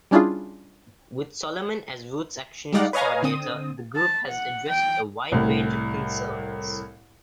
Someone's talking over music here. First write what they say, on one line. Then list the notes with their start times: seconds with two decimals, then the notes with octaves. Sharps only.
With Solomon as RootsAction's coordinator, the group has addressed a wide range of concerns.
0.11 G3 C#4 D4 E4 F4 G#4
2.73 G3 G#3 D#4 D5 F5 F#5
2.93 B4 C#5 D#5 F5 G#5 A#5
3.23 D3 C4 D#6
3.95 A5
4.29 F#5
4.68 G5
5.32 C2 A2